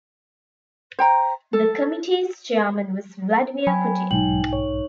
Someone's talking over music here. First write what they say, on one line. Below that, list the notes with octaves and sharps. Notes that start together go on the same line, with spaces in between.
The committee's chairman was Vladimir Putin.
C5 G5 A#5
A4
F#3 G5 G#5 B5
B1 G#2 D#4 G5 G#5 F#7
C#5